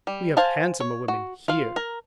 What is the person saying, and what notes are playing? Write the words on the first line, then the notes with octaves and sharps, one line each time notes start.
"We have handsomer women here."
G3
C5 F5 G#5 A5
C#5
F#4
F4 F5
A#4